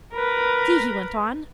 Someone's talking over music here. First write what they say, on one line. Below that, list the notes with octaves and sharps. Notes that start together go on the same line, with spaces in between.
"See!" he went on.
A#4 B4